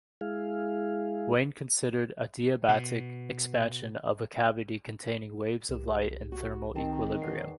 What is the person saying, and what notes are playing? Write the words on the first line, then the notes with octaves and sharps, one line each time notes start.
Wien considered adiabatic expansion of a cavity containing waves of light in thermal equilibrium.
G#3 E4 G#4 F5
B2
C2 G4
F#4
D#3 C4 A5
E2 C7